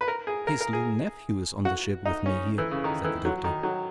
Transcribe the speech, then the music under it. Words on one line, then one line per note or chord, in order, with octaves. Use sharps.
"His little nephew is on the ship with me here," said the Doctor.
B4
A#4
G#4
A#4
A#4
G#4
F#4
D#4
C#4
E3
C#3
D#3
E3
F#3
D#3
F#3